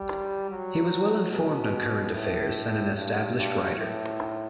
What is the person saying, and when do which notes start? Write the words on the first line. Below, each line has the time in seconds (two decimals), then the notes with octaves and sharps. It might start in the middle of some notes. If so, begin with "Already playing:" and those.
He was well informed on current affairs and an established writer.
Already playing: G3
0.50 F#3
1.32 B2
2.14 A2
2.95 G2
3.36 G2
3.77 A2